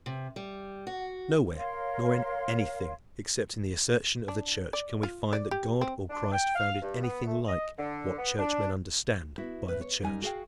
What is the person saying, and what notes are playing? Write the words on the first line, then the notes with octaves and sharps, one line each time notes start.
Nowhere nor in anything, except in the assertion of the Church, can we find that God or Christ founded anything like what Churchmen understand by the Church.
C3
G3
F#4
A#4 C#5 F5 C6
D4
D5
F4
D5
G4
C4
D4
G5
F5
G2
B3
A3
D#5
D3
B3
D4
B3 E4 F#4
A2 B4
C#5
F#2 G3 D#4 G#5
F#4 G#4 F5 G5